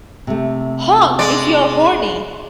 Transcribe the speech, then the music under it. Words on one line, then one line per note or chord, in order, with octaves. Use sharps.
Honk if you are horny!
C3 A3
G#3 D5